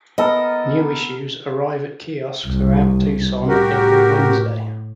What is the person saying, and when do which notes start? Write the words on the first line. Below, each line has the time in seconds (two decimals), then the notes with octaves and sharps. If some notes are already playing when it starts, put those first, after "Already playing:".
New issues arrive at kiosks throughout Tucson every Wednesday.
0.18 B3 A4 A#4 D#5
2.48 C2
3.48 A2 F#4 G4 A#4